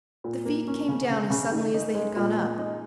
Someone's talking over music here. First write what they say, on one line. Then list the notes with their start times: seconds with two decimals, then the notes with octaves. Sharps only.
The feet came down as suddenly as they had gone up.
0.24 A#2
0.45 A#3
0.68 C#4
0.89 C#3
1.10 C#3
1.30 C#3
1.52 D#3
1.74 D#4
1.95 G#3
2.16 A#2
2.38 G#3
2.58 D#4